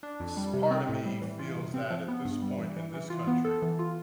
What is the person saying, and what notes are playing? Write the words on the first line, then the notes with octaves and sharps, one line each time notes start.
s part of me feels that at this point in this country,
D4
F2
G3
C3
C4
A2
G3
E3
F4
C3
C4
F3
B3
G2
G3
E3
E3
E3
F4
B3
A4
E3
F4